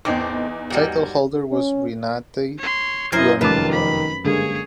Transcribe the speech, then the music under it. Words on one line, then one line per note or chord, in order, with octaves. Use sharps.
Title holder was Renate Groenewold.
E2 A2 C4 D#4 D6
G#2 F#3 G3
C#4
C#5 C6
F#2 E4 A#4 C5 D#5 G#6
F1 D#3 C#4 F4 B4 A5 D6
B5
G2 D3 G#3 A#3 G#4 C#5